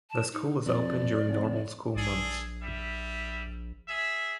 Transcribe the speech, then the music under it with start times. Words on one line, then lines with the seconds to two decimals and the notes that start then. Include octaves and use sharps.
The school is open during normal school months.
0.10 A5
0.33 D#4
0.65 F2 D5
1.28 F1
1.96 A#1 G#4 A4 D5
2.62 G3 E5
3.88 G#4 E5